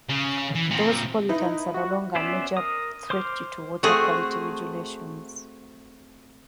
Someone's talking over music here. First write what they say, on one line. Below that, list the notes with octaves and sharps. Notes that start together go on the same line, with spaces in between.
Those pollutants are no longer a major threat due to water quality regulations.
C#3
E3
A#2 C4
D#4 E4 B4
F#4
B3 C#4 C5 D5 E5
A#4 D#6
C5 C6 D6 F6
A3 C4 F#4 G#4